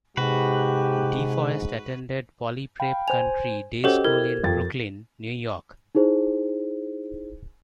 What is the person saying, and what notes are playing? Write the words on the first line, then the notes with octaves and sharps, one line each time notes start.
DeForest attended Poly Prep Country Day School in Brooklyn, New York.
G#2 C3 F#4 G4 B4
F5 G5 B5
C5 G#5 F7
C#4 F#4 G4 A4 C5 D#5 G5
E4 A#4 G#6
F2 F4 A6
D#4 E4 G#4 C5